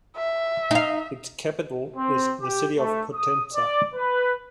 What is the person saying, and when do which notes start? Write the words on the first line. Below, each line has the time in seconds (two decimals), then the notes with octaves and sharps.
Its capital is the city of Potenza.
0.16 E5
0.71 D#4 F5
1.96 C4
2.41 G4
2.79 A3
3.14 D#6
3.54 D5
3.94 B4